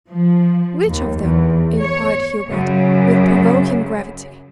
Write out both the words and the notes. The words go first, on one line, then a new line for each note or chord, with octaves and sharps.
"Which of them?" inquired Hubert, with provoking gravity.
F3
D#2
E2
C#5
F#2 C#3